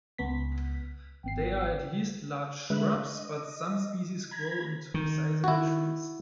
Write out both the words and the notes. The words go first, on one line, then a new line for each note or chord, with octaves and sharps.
They are at least large shrubs but some species grow into sizeable trees.
C#2 B3 B6
G#1 B3 G5 C7
D3 G#3 B4 E5 F#6
D#5
A#5 B5 G#6
D#3
E4 F#4